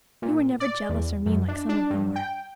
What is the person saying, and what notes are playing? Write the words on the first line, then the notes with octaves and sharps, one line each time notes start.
You were never jealous, or mean, like some of them were.
A#2
D5
E2
F#2
D4
D4
G2
G5